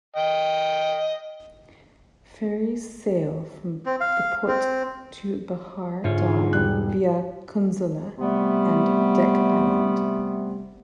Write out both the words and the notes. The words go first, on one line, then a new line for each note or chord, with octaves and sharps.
Ferries sail from the port to Bahir Dar via Kunzela and Dek Island.
D#5 G5
C4
F5
C4
G#2 D3 F4 C#5 E5
E1 G3 F#6
C3 G3 A3 B3